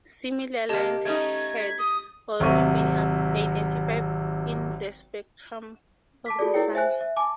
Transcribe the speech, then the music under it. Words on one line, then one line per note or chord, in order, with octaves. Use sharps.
Similar lines had already been identified in the spectrum of the Sun.
C3 A#3 G4 D#5 A5
A3 C#4 D#4 G#6
B6
D#6
G#1 C3 F#3 E5 C#6 D#7
A5 D6 B6
F4 F#4 G#4 A4 D5
E4 G#4 A#4 C#5 G5 C#7
C5 E5 G#5 F#6
E5
G#5 A5 D6